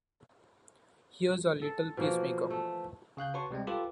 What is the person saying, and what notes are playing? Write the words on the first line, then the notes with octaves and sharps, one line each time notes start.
Here's our little peace-maker!
A4
B2 E3 F3 A#3
A3
C#3 F5 F#6 G6
F#4 B4 C#5 A5 C6 C#6
C3 G3 G#3 C4
F4 G4 A4 B4 D6